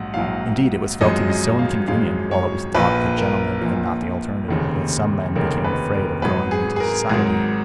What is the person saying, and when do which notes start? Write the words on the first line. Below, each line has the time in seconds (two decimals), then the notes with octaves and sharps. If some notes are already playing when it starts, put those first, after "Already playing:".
Indeed, it was felt to be so inconvenient while it was thought that gentlemen had not the alternative, that some men became afraid of going into society.
Already playing: A#1 G#2 F#3 F#5
0.14 A#1 G#2 F#3 F5
1.01 G#1 F#2 F3 G#3 D#5
1.30 D#5
1.59 F5
1.88 G#1 F#2 F3 G#3 F5
2.31 C#5
2.74 A#1 A#2 F3 B4
3.18 A#4
3.61 A#1 A#2 F3
4.48 F1 D#2 C#3
5.35 F1 D#2 C#3 A#4
5.64 B4
5.93 A#4
6.22 G#1 G#2 F#3 B4
6.51 G#4
6.76 G#4
6.80 A#4
7.09 G#1 G#2 F#3 A#4